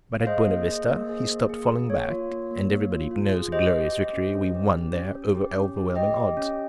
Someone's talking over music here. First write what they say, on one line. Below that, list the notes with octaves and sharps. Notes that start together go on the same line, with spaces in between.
But at Buena Vista he stopped falling back, and everybody knows the glorious victory we won there over overwhelming odds.
F5
G#4 C5 D#5
A#3
G#4
A#3
G#4
A#3
G#4
A#3
A#3 C#5
F4
A#3
A#3
A#3
F4
F4
G#4
G4 C5 D#5
G4
G4
C#4
C#4
G4
G4
C#4
C#4
G4
C#4
G4
G4 D#5 G5
G4
C#4